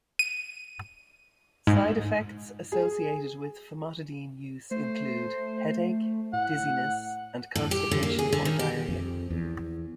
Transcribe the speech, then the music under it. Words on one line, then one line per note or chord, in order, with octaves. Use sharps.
Side effects associated with famotidine use include headache, dizziness, and constipation or diarrhea.
D#7
G#2
G#4
A3 C5
A2 F#5
A2
G4
D3
A#3
G#4
D3
D#3
G4
F2
E2